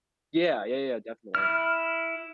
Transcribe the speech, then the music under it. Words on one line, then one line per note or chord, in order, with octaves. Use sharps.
Yeah, yeah, yeah, definitely.
E4 F6